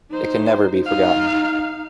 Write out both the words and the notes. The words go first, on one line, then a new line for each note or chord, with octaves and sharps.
It never can be forgotten.
D#4 C5
D#4 F5